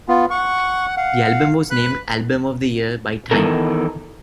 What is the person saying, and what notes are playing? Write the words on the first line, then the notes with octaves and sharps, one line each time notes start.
The album was named "Album of the Year" by "Time".
B3 F4
F#5 C#6
F5 F#5
B4 F#6
D#3 E3 B3 A4 A#4